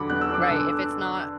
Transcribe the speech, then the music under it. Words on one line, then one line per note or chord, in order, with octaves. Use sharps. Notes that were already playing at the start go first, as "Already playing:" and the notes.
Right, if it's not
Already playing: E2 D3 F#3 F#5 B5 D6
B3 F#6
E6
D4 D6
E6
D3